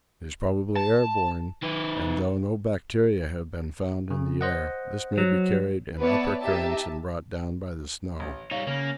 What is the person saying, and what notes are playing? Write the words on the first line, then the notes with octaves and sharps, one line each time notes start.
It is probably air borne, and though no bacteria have been found in the air, this may be carried in upper currents and brought down by the snow.
A5
D#3 B4
C#3
C5 D#5 F#5
F#3
B3 B4 C#5 D5 E5 A5
D#4 G4 E5 A5
A1
G3 D#4 C#5 F5
C#3 A#3 F#5